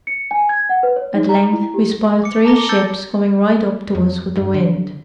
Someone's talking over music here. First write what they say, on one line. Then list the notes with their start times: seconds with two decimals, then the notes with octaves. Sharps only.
At length we spied three ships coming right up to us with the wind.
0.07 C#7
0.31 G#5
0.49 G#6
0.69 F#5
0.83 B4
0.96 C#5
1.15 D#4
1.29 A#5
1.53 E4
1.74 G4
2.24 D6 C#7
2.45 A5 A#5 D6 A#6 G7
2.58 D6
2.69 A5 E6 G6 A6 C#7
3.95 F2
4.36 G2
4.54 D3